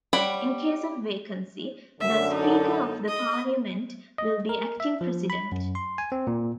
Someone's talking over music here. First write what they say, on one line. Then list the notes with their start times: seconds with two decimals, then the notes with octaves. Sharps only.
In case of vacancy, the Speaker of the Parliament will be acting President.
0.13 G3 C#5 F#5 G5 B5
2.01 F#2 D3 E5
2.34 D#4 A4
3.08 D#5
4.18 D#5
4.49 A#4
4.80 E5
5.01 F3
5.30 B5
5.52 F#2
5.75 C6
5.98 G#5
6.12 C4
6.27 A#2